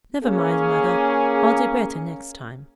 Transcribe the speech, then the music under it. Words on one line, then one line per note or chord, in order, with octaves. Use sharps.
'Never mind, Mother; I'll do better next time.'
A#3 C#4 G#4